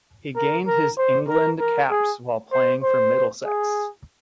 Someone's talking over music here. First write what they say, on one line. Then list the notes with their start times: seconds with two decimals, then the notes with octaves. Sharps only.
He gained his England caps while playing for Middlesex.
0.36 A#4
0.67 A#4
0.98 C5
1.28 A#4
1.59 A#4
1.90 G#4
2.52 C5
2.83 C5
3.45 G#4